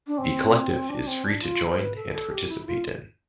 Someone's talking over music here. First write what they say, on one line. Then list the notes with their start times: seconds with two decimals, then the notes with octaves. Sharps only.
The Collective is free to join and participate in.
0.07 D4
0.18 C4
0.89 D4
1.07 C4
1.24 D4
1.43 F4
1.69 C5
1.78 B4
1.96 A4
2.13 A4
2.31 G4
2.49 E4
2.62 E4
2.67 F4